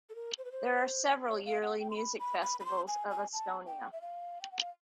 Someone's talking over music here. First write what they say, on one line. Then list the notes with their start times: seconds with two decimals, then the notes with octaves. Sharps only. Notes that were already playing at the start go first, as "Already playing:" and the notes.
There are several yearly music festivals of Estonia.
0.10 A4
0.15 A#4
0.38 C5
0.45 B4
0.52 C5
1.29 C#5
1.46 F5
1.63 F#5
1.80 G5
1.90 C6
1.97 B5
2.20 B5
2.42 B5
2.60 B5
2.65 C6
2.88 G#5
3.11 G#5
3.33 A5
3.67 G5
3.93 E5
4.02 F5
4.41 G5
4.52 F#5
4.60 F5